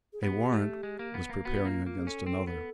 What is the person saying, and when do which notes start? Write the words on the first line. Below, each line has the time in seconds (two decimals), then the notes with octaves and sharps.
A warrant was preparing against another.
0.13 G#4
0.22 B3 G4
0.52 A3
0.83 G#3
0.99 A#3
1.14 B3
1.30 A#3
1.45 B3 F#4
1.65 A#3 F4
1.86 A#3 F4
1.98 G#4
2.06 C#4 A4
2.27 C4
2.47 B3